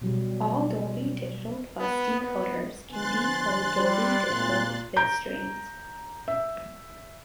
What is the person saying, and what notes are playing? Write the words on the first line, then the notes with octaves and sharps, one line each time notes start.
All Dolby Digital Plus decoders can decode Dolby Digital bitstreams.
B2 F#3 G3
B3
B3
D3 F3 B3 G#5 C6 F#6 A6
G3
G#1 A#2
A#5 G6 D7
E5